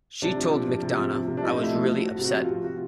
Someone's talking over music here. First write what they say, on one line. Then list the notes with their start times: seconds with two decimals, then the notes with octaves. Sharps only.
She told McDonough, I was really upset.
0.22 C3 D4
0.37 F3
0.51 F3
0.68 C3
0.83 C3
0.97 F3
1.13 C3
1.28 C3
1.37 D4
1.43 F3 D#4
1.58 A3
1.63 E4
1.74 F3
1.84 F#4
1.89 F3
2.04 F3 F#4
2.19 C3
2.25 F#4
2.34 F3
2.44 F4
2.49 C3
2.64 F#4